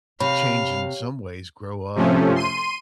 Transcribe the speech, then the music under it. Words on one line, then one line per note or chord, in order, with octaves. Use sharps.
change in some ways, grow up, or,
C3 C#5 F5 B5
C3 F3 A3 C#4
C6 D#7